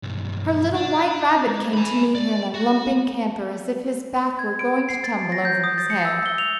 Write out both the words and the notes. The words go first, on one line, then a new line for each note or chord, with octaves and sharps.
Her little white rabbit came to meet her in a lumping canter as if his back were going to tumble over his head.
B1 G2
D4
G#3
G#5 B5
D5
F#4
G#6
D7
C7
A6
A#6
G6
D#6
A6
C#7
E6
G7
F7